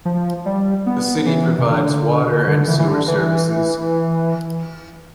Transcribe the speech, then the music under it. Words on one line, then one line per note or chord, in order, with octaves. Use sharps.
The city provides water and sewer services.
F3
G3
B3
E3
C3
D3
D3
E3
E3
D3
E3